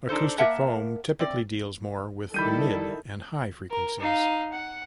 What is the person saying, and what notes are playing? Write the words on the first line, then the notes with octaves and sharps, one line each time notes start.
Acoustic foam typically deals more with the mid and high frequencies.
D4 D#4 A4 C5
A#3 A#4 E5 F#5 A5
C4 D5
D#3 G3 E4 A4 B5 G6 D#7
A#4
D#4 F5
F#5